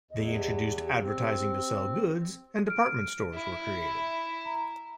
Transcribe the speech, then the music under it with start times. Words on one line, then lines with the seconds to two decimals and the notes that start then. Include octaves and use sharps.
They introduced advertising to sell goods and department stores were created.
0.11 E2 D#5
0.32 G4
1.01 C4
2.68 F6 D7
3.35 E4
3.67 E5
4.45 A#5